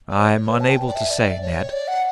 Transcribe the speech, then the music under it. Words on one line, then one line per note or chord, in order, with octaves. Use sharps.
"I'm unable to say, Ned."
D5
C#5
B4
A5
G5
D5
E5
D5
C#5
D5
F#5